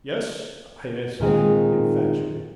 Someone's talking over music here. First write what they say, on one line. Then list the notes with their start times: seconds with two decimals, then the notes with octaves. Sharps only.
"Yes," I answered, infatuated.
1.20 A#2 D#3 G#3 C4